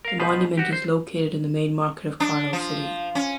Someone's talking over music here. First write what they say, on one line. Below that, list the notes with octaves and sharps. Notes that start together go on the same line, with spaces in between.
The monument is located in the main market of Karnal City.
A#4 F5
B2 F3 B4 C5
F#4 G4
C5
D4
F3
C#4